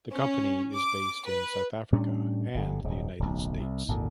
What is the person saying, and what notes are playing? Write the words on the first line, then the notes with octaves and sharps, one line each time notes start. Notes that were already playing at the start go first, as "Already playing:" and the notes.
The company is based in South Africa and the United States.
C#4
D6
B4
A2 G3 C#4 D4
G1 G2 D3
D#1 G#2
D1 B1
C2
G#1 D#2 A#2 D3